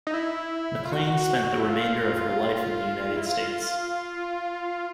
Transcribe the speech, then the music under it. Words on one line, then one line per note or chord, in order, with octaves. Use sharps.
MacLane spent the remainder of her life in the United States.
D#4
E4
F4
F#4
E4
F4
E4
F4